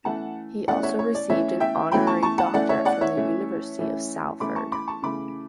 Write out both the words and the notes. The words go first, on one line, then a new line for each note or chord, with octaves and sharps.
He also received an honorary doctorate from the University of Salford.
E3 A3 C#4 F#5 A5
E3 A3 C#4 D5 F#5
C#5 E5
C#5
D5
E3 A3 C#4 C#5 E5
E5 G5
E3 A3 C#4 G5 B5
A5 C#6
A5 C#6
F#5 A5
E3 A3 C#4 D5 F#5
C#5 E5
D5 F#5
C#5 E5
E3 A3 C#4
E3 A3 C#4
E3 A3 C#4 B5 D6
A5 C#6
B5 D6
A5 C#6
C#3 E3 A3 B5 D6